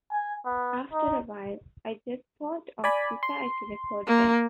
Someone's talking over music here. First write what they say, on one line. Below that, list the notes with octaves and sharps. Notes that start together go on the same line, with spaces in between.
After a while, I just sort of decide to record them.
G#5
B3
D#4
D5 G#5 B5
C6
A#3